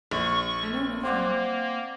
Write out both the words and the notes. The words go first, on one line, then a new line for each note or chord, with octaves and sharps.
I know nothing.
A#1 C#6
A#3 C4 D5 F#5